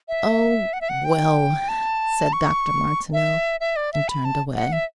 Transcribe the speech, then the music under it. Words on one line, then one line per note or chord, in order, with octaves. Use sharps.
"Oh!--WELL!" said Dr. Martineau and turned away.
E5
F#5
E5
F#5
G5
A5
C#6
E5
E5
D5
E5
B5
A5
F#5
E5